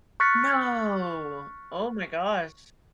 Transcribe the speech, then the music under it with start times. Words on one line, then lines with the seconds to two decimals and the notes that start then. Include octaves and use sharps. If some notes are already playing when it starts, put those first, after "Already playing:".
No. Oh my gosh.
0.20 C#6 F6 F#6 A6 B6 C#7